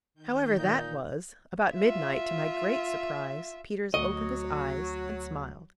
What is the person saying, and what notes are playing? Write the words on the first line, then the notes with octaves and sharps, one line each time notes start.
However that was, about midnight, to my great surprise, Peters opened his eyes, and smiled.
D#3 G6
A#2 D#4
F4 E5
D2 F#3 D#5 C#6